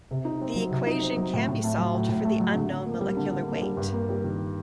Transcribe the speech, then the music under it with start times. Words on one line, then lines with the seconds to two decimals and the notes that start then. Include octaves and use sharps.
The equation can be solved for the unknown molecular weight.
0.11 C3
0.25 D#4
0.41 C4
0.56 F#3
0.71 C3
0.87 D#4
1.02 C4
1.17 F#3
1.33 A2
1.48 A2
1.64 A3
1.78 F#3
1.95 A2
2.09 A2
2.25 A3
2.40 F#3
2.55 D3
2.70 D3
2.86 A#3
3.01 G3
3.17 D3
3.31 D3
3.48 A#3
3.62 G3
3.77 G2
3.93 A#3
4.09 G3
4.24 D#3